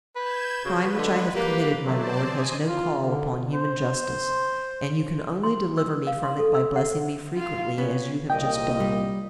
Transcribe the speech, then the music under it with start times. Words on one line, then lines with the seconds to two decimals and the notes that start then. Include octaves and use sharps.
"The crime which I have committed, my lord, has no call upon human justice, and you can only deliver me from it by blessing me frequently, as you have just done."
0.16 B4 G6 G#6 E7
0.65 C#3 F#4 B4
0.97 D3 G#3
1.35 A#3 G4
1.86 F#3 A3 C5 D5 A5
2.24 C4 D#5 G#5
2.67 F4
2.98 D3
3.53 C5
5.43 C6
5.77 E6
6.07 F5
6.23 C6
6.39 A4
6.55 E6
6.76 F#5
7.36 F4 F5
7.78 B3 C#4
8.30 C2 A#2 D#5 G5
8.80 G3